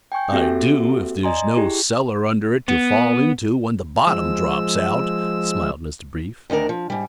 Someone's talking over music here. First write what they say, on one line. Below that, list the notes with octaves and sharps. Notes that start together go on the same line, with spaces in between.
"I do if there's no cellar under it to fall into when the bottom drops out," smiled Mr. Brief.
G5 G#5 C#6 G6
A#3 C4 F#4 G4 A4 E5
D5 D#5 G#5 A#5 C6
E4 G4 G#4
B3
F3 G#3 E6
D2 D#3 D4 A#4 D5
F3
G#2 G3